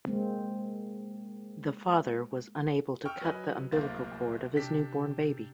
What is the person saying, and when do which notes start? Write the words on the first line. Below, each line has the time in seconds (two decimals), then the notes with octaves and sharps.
The father was unable to cut the umbilical cord of his newborn baby.
0.06 G#3 A#3 C4
3.05 G5 C#6 E6 F6
3.21 F#3 B4 D#5 G#5 B5
3.72 D1 C2 A#3 C5 F5 A6
4.56 C3 D4 G4 B6